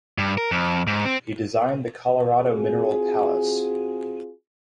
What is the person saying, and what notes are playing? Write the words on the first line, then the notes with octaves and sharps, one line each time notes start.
He designed the Colorado Mineral Palace.
G2
A#4
F2
G#2
C4
C4 F4 F#4 G#4